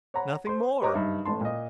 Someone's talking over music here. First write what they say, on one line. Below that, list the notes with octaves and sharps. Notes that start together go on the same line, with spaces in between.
Nothing more.
C#5 F#5 A#5 B5
C5 C6
G4 B4 C#5 D#5 A#5 D6
F#1 G2 D#4 E5
A1 A2 A5 C6
A#2 D#5